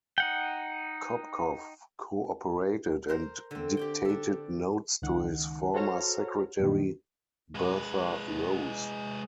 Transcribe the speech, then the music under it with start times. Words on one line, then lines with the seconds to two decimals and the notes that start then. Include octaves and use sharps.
Kopkow cooperated and dictated notes to his former secretary Bertha Rose.
0.18 D#4 F#5 G5
3.08 A#4 C5 A#5
3.51 D3 C4
3.77 G4 D5 G5
4.05 D4 A4
5.02 C#2 D#3 F#5
5.74 F#4 A4 C5 C#5 A#5 F6
6.59 F#2 A#2 D#3
7.55 G#3 B4